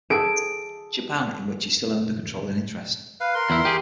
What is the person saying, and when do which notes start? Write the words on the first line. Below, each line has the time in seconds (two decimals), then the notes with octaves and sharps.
Japan in which he still owned a controlling interest.
0.10 G#4 A4 D7
3.20 B4 F5
3.35 A#4 C6
3.50 E2 E4
3.65 G4 G#4